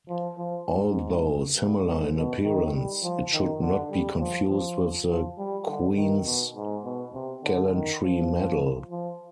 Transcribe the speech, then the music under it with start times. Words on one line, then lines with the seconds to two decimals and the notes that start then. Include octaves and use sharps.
Although similar in appearance, it should not be confused with the Queen's Gallantry Medal.
0.09 F3
0.38 F3
0.68 G#2
1.56 G2
1.85 G#2
2.15 B2
2.44 D#3
2.73 G3
3.02 F3
3.33 D#3
3.61 D3
3.90 G3
4.20 F3
4.49 F3
5.08 F3
5.38 G3
5.67 D3
5.96 D#3
6.26 B2
6.55 G#2
6.84 B2
7.14 C3
7.43 D3
7.73 D#3
8.02 F3
8.91 F3